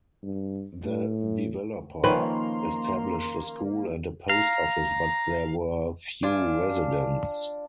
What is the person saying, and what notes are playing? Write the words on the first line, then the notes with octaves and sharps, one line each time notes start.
The developer established a school and a post office but there were few residents.
G2
A2
D#3 F3 A#3 C#4 B4 A#5 C6
F5 A#5
D4 F4 G#5